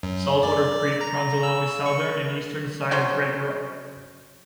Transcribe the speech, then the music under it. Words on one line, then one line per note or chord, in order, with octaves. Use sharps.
Saltwater Creek runs along the southern and eastern side of Redruth.
F#2
D5
A#5
E6
C#6
F#3 C#4 C5